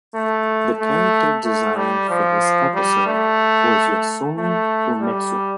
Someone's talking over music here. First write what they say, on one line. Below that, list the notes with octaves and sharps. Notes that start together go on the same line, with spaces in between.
The character designer for this episode was Yasuomi Umetsu.
A3
A3
A3
G3
F3
G3
A3
A3
G3